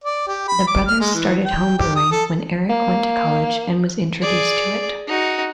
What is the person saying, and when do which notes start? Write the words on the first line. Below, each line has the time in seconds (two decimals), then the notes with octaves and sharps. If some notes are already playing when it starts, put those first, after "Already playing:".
The brothers started homebrewing when Eric went to college and was introduced to it.
0.04 D5
0.28 G4
0.48 B5
0.67 D6
0.88 F6
1.01 G#3
1.14 E3
1.45 G5
1.79 G4
1.96 D#6
2.12 A4
2.69 A#3
4.22 G#4 D5
5.07 D#4 F#4